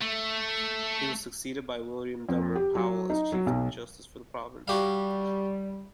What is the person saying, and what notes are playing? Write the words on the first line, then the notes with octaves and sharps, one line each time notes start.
He was succeeded by William Dummer Powell as Chief Justice for the province.
A3
F2
G4
F#3
D#4
F#3
B1
G3 F#4 G4 F5